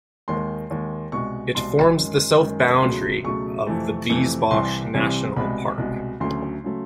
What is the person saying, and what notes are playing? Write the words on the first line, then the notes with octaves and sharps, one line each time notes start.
It forms the south boundary of the Biesbosch National Park.
D#2 D#3 G#3 C6
D#2 D#3 G#3
C2 B2 G#3 C#6
C2 B2 G#3 C6
F#2 D#3 G#3
F#2 D#3 G#3
C#2 B2 F#3 A3 C6
C#2 B2 F#3 A3 C#6
F2 C3 E3 A3
F2 C3 E3 A3
C2 C3 E3 G3 C6
C2 C3 E3 G3
C2 B2 G#3 B5
C2 B2 G#3
D2 C#3 F#3 A3 C6
C#3 F#3 A3